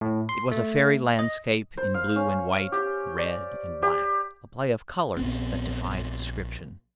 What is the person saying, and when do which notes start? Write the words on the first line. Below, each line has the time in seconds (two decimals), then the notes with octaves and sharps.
It was a fairy landscape in blue and white, red and black, a play of colours that defies description.
0.01 A2
0.29 C6
0.51 A3
1.19 D#5
1.77 C5
1.94 F5
2.16 C#4
2.72 G4
3.18 D5
3.83 G4
5.17 A#1 B3 C4